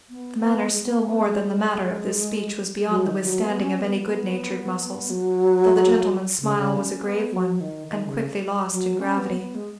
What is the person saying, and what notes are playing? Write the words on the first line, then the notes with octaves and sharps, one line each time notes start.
The manner still more than the matter of this speech was beyond the withstanding of any good-natured muscles, though the gentleman's smile was a grave one and quickly lost in gravity.
B3
B3
G#3
B3
B3
G#3
G#3
F#3
D#3
F#3
B3
C#4
B3
B3
F#3
C#3
C#3
C#4
B3
F#3
D#3
D#3
C#3
F#3
C#4
B3
B3
G#3